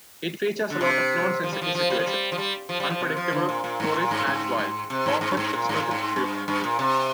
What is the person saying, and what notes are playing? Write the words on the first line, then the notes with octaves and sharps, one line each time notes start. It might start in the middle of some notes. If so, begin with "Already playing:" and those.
It features a lot of nonsensical situations, unpredictable stories and wild, often explicit humour.
D3
C3
F3
G3
F3
F3
G3
F3
G3
F3
G3
F3
G3
F3
C3
F3
D3
A#2
A#2
G#2
A#2
G#2
A#2
G#2
C3
G#2
G#2
G2
G#2
A#2
G#2
A#2
G#2
G2
G2
A#2
C3